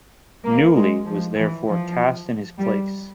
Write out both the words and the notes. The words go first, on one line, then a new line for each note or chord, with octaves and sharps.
Newley was therefore cast in his place.
A#3
G#3
F3
E3
F3
G3